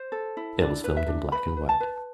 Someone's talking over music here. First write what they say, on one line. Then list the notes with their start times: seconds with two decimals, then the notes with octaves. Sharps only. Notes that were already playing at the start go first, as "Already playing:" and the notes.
It was filmed in black and white.
Already playing: C5
0.12 A4
0.37 E4
0.61 D4 D5
0.84 B4
0.97 E5
1.08 D4
1.32 B4 B5
1.57 B4
1.69 A5
1.80 B4